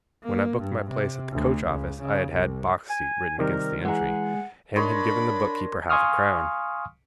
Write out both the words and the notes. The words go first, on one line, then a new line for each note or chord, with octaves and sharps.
When I booked my place at the coach office I had had 'Box Seat' written against the entry, and had given the book-keeper half-a-crown.
A#3
G2
C3
D2
C#2
C#3
C2
G#5
C3 D#3 G3 A#4
E3 G#3 G#4 F#5 A#5
D4 A#4 C#5 D#5 B5 C6
F5 G#5 C6 C#6 D#6 F6